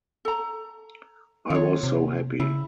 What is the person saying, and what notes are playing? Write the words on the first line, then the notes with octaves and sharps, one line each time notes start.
I was so happy.
A4 A#5
D#3 F4 C#5
C3
C#3 E4